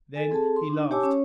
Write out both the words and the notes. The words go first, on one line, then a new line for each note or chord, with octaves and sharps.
Then he laughed.
A4 G#5
C4 G#4 A4 A5
C6
D4 D#4
G4 C#5 G#5 A5 D6 E6
C#4 C#5